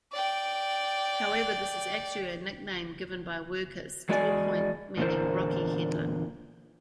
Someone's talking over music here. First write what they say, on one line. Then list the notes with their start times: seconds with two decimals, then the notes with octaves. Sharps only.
However this is actually a nickname given by workers, Torpoint meaning "rocky headland".
0.12 D5 G5
4.09 E2 G#3 F#4 G#4 D5 G#5
4.97 E2 A#2 D3 A#4 C5